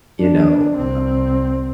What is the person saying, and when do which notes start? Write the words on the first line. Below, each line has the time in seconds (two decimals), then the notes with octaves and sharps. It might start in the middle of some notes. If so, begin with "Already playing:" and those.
you know, uh,
0.21 D4
0.77 C2 C4